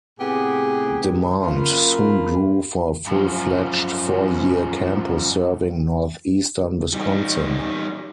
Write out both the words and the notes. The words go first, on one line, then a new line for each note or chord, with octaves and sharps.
Demand soon grew for a full-fledged four-year campus serving northeastern Wisconsin.
A2 C3 B3 G4 G#4
F#2 A#3 F4 A#4 B5
F#2 F3
G3 D#4